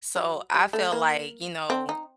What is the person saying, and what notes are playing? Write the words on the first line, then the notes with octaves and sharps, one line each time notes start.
So I felt like, you know,
F#3
G3
A3
A#3
C4
D#4